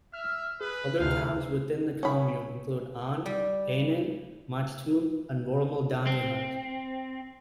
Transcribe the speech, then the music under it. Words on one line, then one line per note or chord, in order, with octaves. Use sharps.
Other towns within the commune include Ahn, Ehnen, Machtum, and Wormeldange-Haut.
E5 F6
G#4 B4
D2 C3 F5
C#4 B5
G3
C4